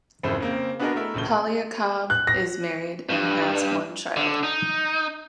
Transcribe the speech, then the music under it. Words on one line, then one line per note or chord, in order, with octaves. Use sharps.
Polyakov is married and has one child.
G#1 F2 C#3 C4 E4 C5
C#3 A#3 C4
B3 D4 F#4 G#4 A#4 D#5
A3 E4 A#4 E5
D#1 A#1 C#3 G7
F#6
A#6
G2
D3
D#4